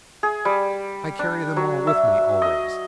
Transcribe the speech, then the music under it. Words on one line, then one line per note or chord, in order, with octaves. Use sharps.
I carry them all with me always.
G#4
G3
D4
F#3
E5
D#5